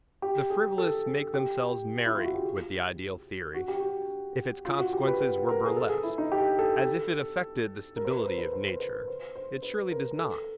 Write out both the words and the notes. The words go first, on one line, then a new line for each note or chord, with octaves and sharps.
The frivolous make themselves merry with the Ideal theory, if its consequences were burlesque; as if it affected the stability of nature. It surely does not.
G4
G#4
A4
G#4
G4
E4
F4
F#4
G4
G#4
F#4
G4
F#4
F4
F#4
G4
B4
B4
A#4
G#4
A4
G#4
E4
D#4
G4
A4
A#4
C5
B4
C5
B4
C5
C5
B4
C5
C5
B4
A#4
A4